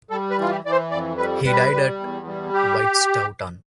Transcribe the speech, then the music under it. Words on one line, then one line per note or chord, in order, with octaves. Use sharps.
He died at Whitestaunton.
G3 A4
B4
E3 F4
G4
E3 D5
C5
F2 D5
G3 B4
G3 B4
G3
E2
G3
G4